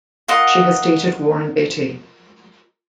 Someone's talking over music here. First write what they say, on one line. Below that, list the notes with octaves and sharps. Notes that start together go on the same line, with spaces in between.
She has dated Warren Beatty.
F4 A#4 D#5 F#5